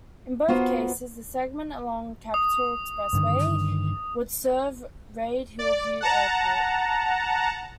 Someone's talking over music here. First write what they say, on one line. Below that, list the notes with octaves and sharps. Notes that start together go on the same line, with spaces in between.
In both cases, the segment along Capitol Expressway would serve Reid-Hillview Airport.
B3 F4 F#4 A#4 C5
D#6
G2 D3 D#3
D5
F#5 A5 A#5